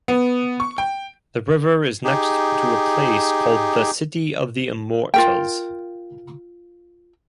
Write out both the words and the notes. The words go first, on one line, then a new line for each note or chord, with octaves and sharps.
The river is next to a place called the City of the Immortals.
B3
C#6
G5
D#4 G4 G#4
F4 A#4 G5